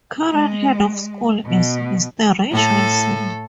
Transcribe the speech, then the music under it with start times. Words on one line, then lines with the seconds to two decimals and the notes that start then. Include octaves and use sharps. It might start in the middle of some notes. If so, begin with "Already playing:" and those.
Current Head of School is Mr. Rich Wilson.
0.31 G#3
1.46 B2
2.51 A2 A4